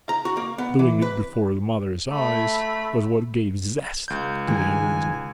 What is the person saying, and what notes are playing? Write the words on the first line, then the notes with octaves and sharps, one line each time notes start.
Doing it before the mothers' eyes was what gave zest to the amusement.
A#5
F#4
A#3
B3
E3
B4
A3 B5
C#2 G6
D#3 G#3 A#4 G#5